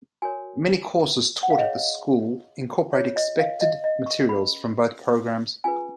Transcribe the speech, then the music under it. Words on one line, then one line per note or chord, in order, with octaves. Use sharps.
Many courses taught at the school incorporate expected materials from both programs.
F#4 A#4 C#5 G#5
F#5
F5
D#4 G#4 C#5 D#5
F4 G#4 C#5
D#5
F5
D#5
D#5
C#6
C#4 G#4 B4 B5
C#4 F4 G#4 B4 G#5